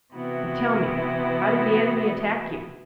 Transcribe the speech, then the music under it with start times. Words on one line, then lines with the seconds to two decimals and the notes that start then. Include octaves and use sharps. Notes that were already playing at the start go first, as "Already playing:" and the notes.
"But tell me, how did the enemy attack you?"
0.14 C3 E3 B3 E4 F#4